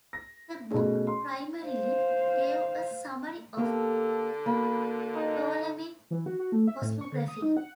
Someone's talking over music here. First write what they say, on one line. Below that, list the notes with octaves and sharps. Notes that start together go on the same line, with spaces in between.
The book primarily gave a summary of Ptolemic cosmography.
A#6
B2 A3 C#4 G#4
C6
C5 F5
D3 A#3 G4 A4
A#3 F#4 B5
D#4
E3
F#4
F#4
A3
E5
A2
C#6
D3
D#6
D#4
F#5